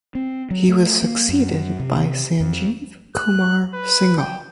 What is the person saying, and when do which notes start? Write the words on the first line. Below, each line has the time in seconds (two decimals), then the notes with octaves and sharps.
He was succeeded by Sanjeev Kumar Singhal.
0.15 C4
0.51 F#3
0.68 A3
1.03 A#3
1.29 F#2
1.80 C3
2.40 F2
3.16 F#6
3.73 B4
4.18 G5